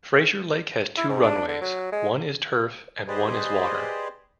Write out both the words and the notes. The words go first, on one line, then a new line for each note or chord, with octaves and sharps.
Frazier Lake has two runways, one is turf and one is water.
E4
G#2
D4
D3
F#3
G#3
G4 G#4 B4 C5 D5 D#5